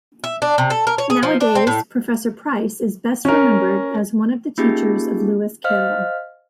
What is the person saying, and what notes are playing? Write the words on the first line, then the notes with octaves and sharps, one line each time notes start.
Nowadays, Professor Price is best remembered as one of the teachers of Lewis Carroll.
E5
D4
C3
A4
A#4
C#5
G#4
F3
D4
C4
A2
C#4 A#4
A#3 C#4 D#4 F4 G4 G#4
C5 D#5 F5 F6